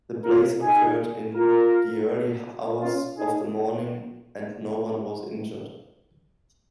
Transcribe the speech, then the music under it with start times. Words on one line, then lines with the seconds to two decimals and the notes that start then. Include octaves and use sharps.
The blaze occurred in the early hours of the morning and no-one was injured.
0.24 F4 A#4
0.61 D#4 G#4
1.35 F4 A#4
2.81 C#4 F4
3.17 D#4 G#4